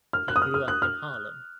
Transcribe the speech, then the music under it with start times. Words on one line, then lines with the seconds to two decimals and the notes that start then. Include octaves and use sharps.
He grew up in Harlem.
0.13 F6
0.28 F#6
0.36 D#6
0.42 F6
0.54 F6
0.68 F#6
0.82 F6